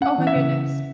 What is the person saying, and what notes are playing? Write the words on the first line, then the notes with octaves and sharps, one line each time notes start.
Oh my goodness.
C#4 F#5
E3
E5
C#3